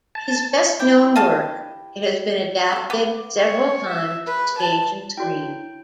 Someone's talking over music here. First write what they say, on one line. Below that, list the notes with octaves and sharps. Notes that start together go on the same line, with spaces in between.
His best-known work, it has been adapted several times for stage and screen.
A5
E4 G4 G5
D#5 F5 A5
A4 F5
B3 D6
C#5
E5
B4
A5
E4 F#4 C#5 G5